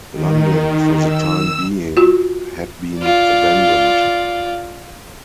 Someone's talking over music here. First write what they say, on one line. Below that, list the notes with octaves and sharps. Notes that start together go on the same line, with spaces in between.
London for the time being had been abandoned.
D#3
E6
F4 F#4
F4 D5